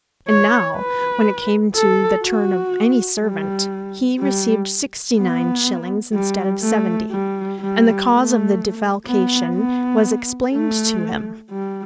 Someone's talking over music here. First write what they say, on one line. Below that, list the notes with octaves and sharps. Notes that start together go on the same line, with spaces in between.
And now, when it came to the turn of any servant, he received sixty-nine shillings instead of seventy, and the cause of the defalcation was explained to him.
C#5
B4
A4
F#4
G3
G3
B3
G3
A3
G3
G3
A3
B3
B3
A3
G3